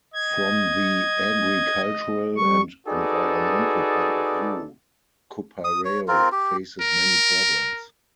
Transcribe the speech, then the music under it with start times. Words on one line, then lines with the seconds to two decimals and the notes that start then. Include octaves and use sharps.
From the agricultural and environmental point of view, Cupareo faces many problems.
0.14 D#5 G#6
2.36 G3 C#6
2.87 D#4 F#4 G#4 A4 B4 D5
5.64 D#6
5.85 C#5
6.08 C4 F4 A#4
6.32 G4
6.81 A#4